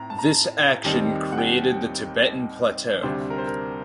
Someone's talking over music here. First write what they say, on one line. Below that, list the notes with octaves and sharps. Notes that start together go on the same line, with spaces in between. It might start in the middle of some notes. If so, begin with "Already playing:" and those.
This action created the Tibetan Plateau.
Already playing: A2 C4 A#5
A5
A#5
A5
D#2 D#3 G3 C4 D#4
F#5
G5
D2 C3 G3 D4 C5
A#4
C5
A#4